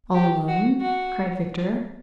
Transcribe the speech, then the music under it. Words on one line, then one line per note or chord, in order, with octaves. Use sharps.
"All alone?" cried Victor.
G4
F#4
F#4